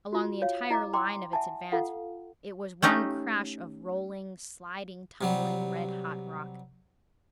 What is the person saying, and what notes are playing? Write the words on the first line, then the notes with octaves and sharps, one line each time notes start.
Along the entire line of its advance it was one crash of rolling, sliding, tumbling red-hot rock.
F4 F#4
C#5 F5
E4 D#5 A#5 D6
G5 A#5 C6 D6
E5 F#5 G#5 A5
F4 A4 F5 F#5
A3 C#4 D#4 G4
C3 F#3 G3